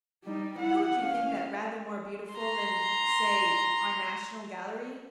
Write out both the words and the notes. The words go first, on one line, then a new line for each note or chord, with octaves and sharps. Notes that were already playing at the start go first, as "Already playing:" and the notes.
"Don't you think that rather more beautiful than--say--our National Gallery?"
G3 D#4
E4 F#5
C#4 F5
A#5 C6